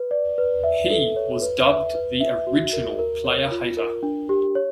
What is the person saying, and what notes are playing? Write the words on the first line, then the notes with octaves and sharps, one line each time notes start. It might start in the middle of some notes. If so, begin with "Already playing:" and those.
He was dubbed the Original Player Hater.
Already playing: B4
D5
B4
E5
A4
C#5
B4
E5
B4
E5
F#4
A#4
A#4
C#5
F4
A#4
D4
G4
C#5